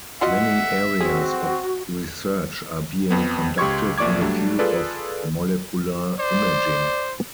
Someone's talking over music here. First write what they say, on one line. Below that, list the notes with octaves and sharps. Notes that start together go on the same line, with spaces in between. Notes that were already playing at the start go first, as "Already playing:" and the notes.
Many areas of research are being conducted in the field of molecular imaging.
F4 F#4 D#5 E5 F#5
C4 F#4 G#4
F2 B3
C#2 G4 C6 C#6 G#6
A#1 A#2 D5 C#6 D6 G#6
F#3 G3 A3 D4
F4 G#4 A4 B4 D5
C5 D5